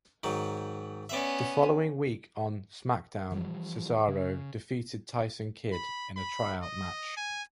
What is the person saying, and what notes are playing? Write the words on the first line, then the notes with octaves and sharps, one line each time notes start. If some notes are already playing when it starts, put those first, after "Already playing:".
The following week on "SmackDown", Cesaro defeated Tyson Kidd in a tryout match.
G#2 D#3 F#3
B3 C#4 D5 E5
E3 F3 G3
C#3
B5
B5
D#5
G#5